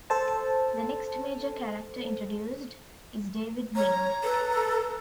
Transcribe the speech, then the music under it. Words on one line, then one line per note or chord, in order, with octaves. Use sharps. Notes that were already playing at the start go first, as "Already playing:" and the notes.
The next major character introduced is David Lind.
A4 C5 A5
C#5 A#5
A4 B4